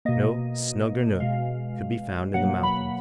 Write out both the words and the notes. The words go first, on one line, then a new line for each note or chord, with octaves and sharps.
No snugger nook could be found in the mountains.
B2 A#3 D#5
B2 G#3 F5
B2 F#3 A#3 F#5
B5